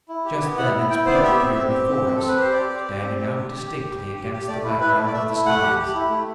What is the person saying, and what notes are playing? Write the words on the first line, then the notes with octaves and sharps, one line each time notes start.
Just then its peak appeared before us, standing out distinctly against the background of the skies.
E4
G4
B3
E4 F#5
E4
E4 G5
B3 C5
D5
G4 E5
C4
C4
G4
C4
C4
C4 A4
B4
G4 C5
G4 D5
G4
G4
C4
G4
G4
G4
G4
G4
G4
G4
G4
A3 D5
E4
E4 B4
A3
D5
A3 E5
E4
A3 F#5
G4
G4
E4
A3